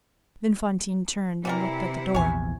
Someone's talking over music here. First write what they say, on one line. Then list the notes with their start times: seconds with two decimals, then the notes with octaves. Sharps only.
Then Fantine turned and looked at the door.
1.45 C3 E3 G3 E4 A#4
2.15 A#1 E2 C#5 G#5